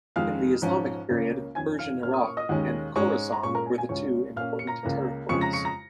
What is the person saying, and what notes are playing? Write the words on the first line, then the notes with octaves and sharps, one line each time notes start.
In the Islamic period, "Persian Iraq" and "Khorasan" were the two important territories.
F2 D#3 G#3 F5 F6
G#2 F3 C#4
C#2 C#3 A#3 C#4
F2 D#3 C#4 G#5 G#6
F5 F6
A#2 A#3 C#4 F6
D#6
C#6
D#5 D#6
D#2 D#3 G#3 C#4
G#2 G#3 C#4 C#5 C#6
A#5
A#2 G#3 C#4 C#5 C#6
A#4 A#5
G#5
G#5
C#2 C#3 G#3 C#4 C#5 C#6
A#2 A#3 C#4 F5 F6
C#7
A#5 A#6
C#2 C#3 A#3
F2 C#3 G#3 C#6 C#7
A#5 A#6
C#6 C#7
A#5 A#6